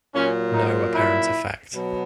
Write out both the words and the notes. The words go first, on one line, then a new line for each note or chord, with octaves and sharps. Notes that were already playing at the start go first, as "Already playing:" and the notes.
No apparent effect.
A#2 F#3 C#4
D#4
E4
B2 F#3